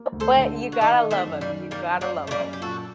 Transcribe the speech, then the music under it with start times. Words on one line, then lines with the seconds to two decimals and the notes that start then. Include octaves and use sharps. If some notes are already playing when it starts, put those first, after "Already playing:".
But, you gotta love 'em, you've gotta love 'em.
Already playing: A#3
0.12 D2
0.20 A4 C5
0.36 D3
0.58 A#3
0.72 F#4
0.81 D#3 D#4 G4
1.03 D#3
1.11 A3 C4
1.26 F#2
1.41 G3 A#3
1.49 D#3
1.71 F#2 G3 A#3
1.94 F#2
2.01 G3 A#3
2.16 F#2
2.27 A3
2.31 G3 A#3
2.39 F#2
2.53 G4
2.61 A#2 F#4 A4